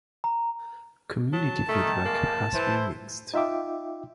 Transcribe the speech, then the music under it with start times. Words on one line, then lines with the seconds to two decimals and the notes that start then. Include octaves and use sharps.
Community feedback has been mixed.
0.24 A#5
1.33 F#3 A5
1.69 D#3 A3
2.05 C#2 A2 G#3 A#3
2.55 E3 E4 A4 C5
3.34 D#4 F4 E5 G5 D6